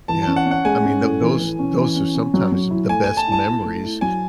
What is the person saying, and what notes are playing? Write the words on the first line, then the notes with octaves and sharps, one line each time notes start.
Yeah. I mean, tho those those are sometimes the best memories,
E3 A5
A5
C#4
F#5
C#4
F#5
G#3 G#5
C#4
A2
E3
E3
C#4
E3
C#4
C#4
F#3
F#3
E4
A3 G#5
A3 G#5
A5
E4 A5
E4
A3
E4
F#3 G#5